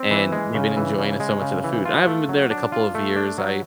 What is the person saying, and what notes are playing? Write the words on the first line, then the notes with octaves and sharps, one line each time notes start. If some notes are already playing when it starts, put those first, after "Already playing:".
and they've been enjoying, uh, so much of the food, and I haven't been there in a couple of years, I
Already playing: C4
E3
G#3
C#3
E3
C#3
G#3
C#3
E3
F4
A3
F#3
D4
F4
A3
D4
F#3